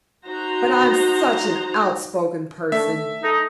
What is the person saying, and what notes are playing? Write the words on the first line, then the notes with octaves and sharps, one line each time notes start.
But I'm such an outspoken person.
D#4 F#4 C5 A#5
A3 D4 E5
D#4 A4